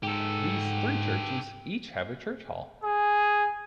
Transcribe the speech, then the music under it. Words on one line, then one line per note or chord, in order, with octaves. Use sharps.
These three churches each have a church hall.
G#2 G4 A4
G#4